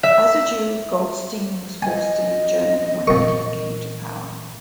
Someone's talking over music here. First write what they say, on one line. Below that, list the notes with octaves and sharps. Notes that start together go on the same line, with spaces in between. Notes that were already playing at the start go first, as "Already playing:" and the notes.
As a Jew, Goldstein was forced to leave Germany when Hitler came to power.
E5
D#5 G#5
F2 A#2 E3 A#4 C#6